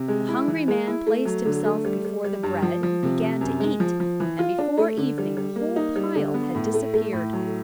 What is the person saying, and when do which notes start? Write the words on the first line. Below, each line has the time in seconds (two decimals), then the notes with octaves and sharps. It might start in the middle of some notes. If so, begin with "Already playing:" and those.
The hungry man placed himself before the bread, and began to eat, and before evening the whole pile had disappeared.
Already playing: C3
0.08 G#3
0.28 E4
0.48 E3
0.68 G#3
0.87 E4
1.07 A3
1.25 F#3
1.45 D3
1.65 A3
1.85 G3
2.05 G3
2.24 G3
2.43 G2
2.62 F3
2.83 F3
3.03 C3
3.22 C3
3.41 F#2
3.60 G#3
3.80 F3
4.00 F3
4.20 E3
4.39 F4
4.58 D4
4.78 A3
4.97 D3
5.18 G3
5.37 G3
5.56 A#3
5.76 D#4
5.96 G3
6.15 D3
6.34 B3
6.55 A2
6.74 A3
6.94 A3
7.13 A2
7.33 F#3